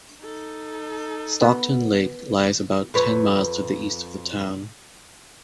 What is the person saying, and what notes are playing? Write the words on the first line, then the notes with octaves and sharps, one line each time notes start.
Stockton Lake lies about ten miles to the east of the town.
D#4 A4
B3
F2 B4 C#5